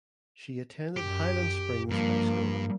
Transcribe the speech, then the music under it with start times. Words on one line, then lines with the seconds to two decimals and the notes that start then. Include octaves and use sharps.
She attended Highland Springs High School.
0.97 F#2 G4
1.90 G2 F3 A#3